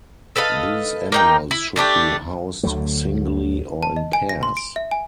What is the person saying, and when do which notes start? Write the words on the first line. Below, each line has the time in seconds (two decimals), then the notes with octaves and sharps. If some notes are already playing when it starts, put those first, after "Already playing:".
These animals should be housed singly or in pairs.
0.36 A4 B4 D#5 F5
1.12 A#3 D#4 G5
1.51 E4
1.76 D3 A3 D4 G4
2.63 D2 D3 F#3 A3
3.83 A5
3.96 D#5
4.13 G#5
4.29 A#6
4.43 C6
4.57 D7
4.76 E5
4.91 G#5